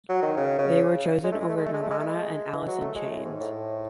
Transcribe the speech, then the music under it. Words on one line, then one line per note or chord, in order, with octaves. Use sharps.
They were chosen over Nirvana and Alice in Chains.
F#3
D#3
C#3
C#3
G#3
A3
G#3
A3
G#3
A3
G#3
A3
G#3
A3
G#3
E3
F#3
A3
G#3
A2
G#2
A2